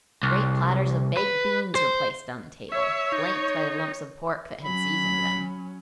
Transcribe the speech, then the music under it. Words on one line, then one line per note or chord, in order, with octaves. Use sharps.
Great platters of baked beans were placed on the table, flanked by the lumps of pork that had seasoned them.
C2
B4
C5
C#5 E5
D#4
F#3 C#4 B5